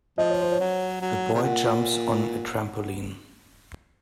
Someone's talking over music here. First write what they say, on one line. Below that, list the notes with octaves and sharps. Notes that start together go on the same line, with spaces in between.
A boy jumps on a trampoline.
F3 D#5
C#5
C5
C#5
F#3
F#3
C3
A#2 F#5